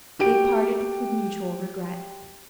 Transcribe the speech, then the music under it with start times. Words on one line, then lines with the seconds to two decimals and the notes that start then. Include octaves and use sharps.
They parted with mutual regret.
0.19 F#4 G4 G5 D7